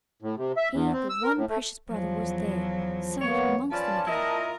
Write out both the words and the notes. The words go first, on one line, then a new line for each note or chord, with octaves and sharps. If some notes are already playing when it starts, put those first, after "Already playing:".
He, the one precious brother, was there, safe, amongst them again!
A2
C3
E5
E2
C4
E6
A#4
A2
A3
E2 F3 F#3
A#3 B3 C#5
F3 C#4 F4 B4 D5 A5
A#2 E4 F4 A#4 D#5